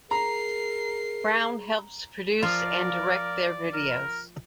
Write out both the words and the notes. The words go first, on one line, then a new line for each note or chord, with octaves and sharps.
Brown helps produce and direct their videos.
G#4 A#4 A#5 C7
F3 F4 A#4 D5
A#4